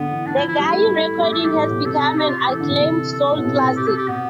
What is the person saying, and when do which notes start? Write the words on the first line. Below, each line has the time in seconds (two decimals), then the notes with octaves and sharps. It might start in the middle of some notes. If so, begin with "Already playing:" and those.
The Gaye recording has become an acclaimed soul classic.
Already playing: D3 B3
0.11 E3
0.26 E3 D4
0.37 F3 E4
0.48 E4
0.58 G3 E4
0.72 A3
0.86 G3
1.17 G3
1.22 A3 G4
1.32 E3 A4
1.43 G3 G4
1.54 A2
1.70 B2
1.85 C3 A4
2.17 G4
2.28 F4
2.38 G4
2.49 E3 A4
2.60 D3
2.70 C3
2.81 C3
3.13 A4
3.31 A2
3.38 B2
3.45 C3
3.77 G4
3.87 A4
3.98 G4
4.08 B2 B3